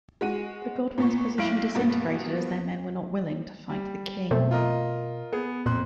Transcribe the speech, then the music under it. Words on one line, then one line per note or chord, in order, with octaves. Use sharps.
The Godwins' position disintegrated as their men were not willing to fight the king.
G#3 F#4 D#7
A#2 B3 C#6
B1 E4 F5 D7 F#7
G2 B2 A#3 B3
G3
F#2 B2 A3 C4
F4 A#4 D#5
B3 G#4
F2 A#2 C6 F#6